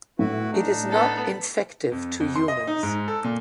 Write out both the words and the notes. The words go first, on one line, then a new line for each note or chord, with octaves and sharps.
It is not infective to humans.
A2 E4 F#4 B4
D4 D#4
B3 A4
F2
F2
C6
D#5
D#4
G#2
A4
A#2